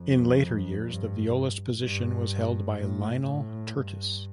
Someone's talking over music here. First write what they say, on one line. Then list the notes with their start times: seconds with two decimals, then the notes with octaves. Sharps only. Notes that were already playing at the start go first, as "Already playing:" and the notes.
In later years the violist position was held by Lionel Tertis.
Already playing: F2
0.86 G2
1.82 G2
2.78 A2
3.26 A2
3.74 G2